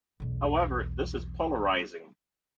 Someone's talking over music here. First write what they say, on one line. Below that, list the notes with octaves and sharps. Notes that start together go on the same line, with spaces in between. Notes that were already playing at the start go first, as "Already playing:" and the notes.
However, this is polarising.
B1 E2